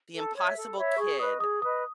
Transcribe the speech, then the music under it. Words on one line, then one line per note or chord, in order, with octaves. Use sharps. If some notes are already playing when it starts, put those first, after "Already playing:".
The Impossible Kid.
A4
C#5 E5
A4
C#5 E5 B5
G#4 C#6
B4 D#5 D#6
G#4 D#6
B4 D#5 D#6